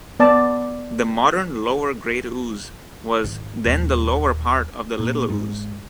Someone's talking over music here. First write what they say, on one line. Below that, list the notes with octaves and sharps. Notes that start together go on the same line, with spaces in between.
The modern lower Great Ouse was then the lower part of the Little Ouse.
B3 D5 A5
G#1
D#1
A#2
G#2